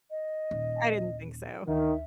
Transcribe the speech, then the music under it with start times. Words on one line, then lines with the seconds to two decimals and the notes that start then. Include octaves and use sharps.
I didn't think so.
0.11 D#5
0.51 D#1
1.68 D2 D#3 E5